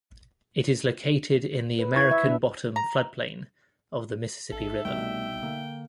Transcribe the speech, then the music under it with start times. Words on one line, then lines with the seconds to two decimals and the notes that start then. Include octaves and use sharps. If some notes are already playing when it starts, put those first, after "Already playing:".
It is located in the American Bottom floodplain of the Mississippi River.
1.79 B4
1.96 E4 C#6 G#6
2.11 E5
2.24 B3 D4
2.76 A#5
4.52 A1 D#4 A4 E5
4.85 C2 B2 A3 G5
5.43 D3 A#3